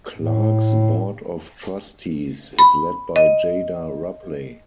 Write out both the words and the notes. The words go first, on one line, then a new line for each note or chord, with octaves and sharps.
Clark's Board of Trustees is led by Jada Rupley.
A2
B5
D#5